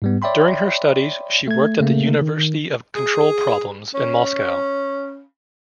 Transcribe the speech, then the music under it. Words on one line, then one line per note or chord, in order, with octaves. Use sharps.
During her studies she worked at the Institute of Control Problems in Moscow.
G#2 G3 B3
C#5 D5 E5 G5 B5 C6
A3 G#6
C#3 A3 A#3
D#3
G#4
C#4